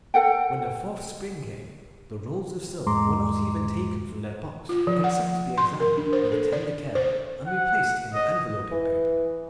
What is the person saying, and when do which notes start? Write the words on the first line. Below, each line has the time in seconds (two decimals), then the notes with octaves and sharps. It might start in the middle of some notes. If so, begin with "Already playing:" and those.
When the fourth spring came the rolls of silk were not even taken from their box except to be examined with tender care and replaced in the enveloping paper.
0.14 A4 F#5 G5
2.86 E2 G#2 G#3 A#5 C6 D6
4.69 F4
4.87 F3
5.04 F#5
5.58 C6
5.80 A#4
5.97 D4
6.13 C5
6.32 A4
6.53 D5
6.95 C5
7.47 F#5
8.14 D#5
8.71 E3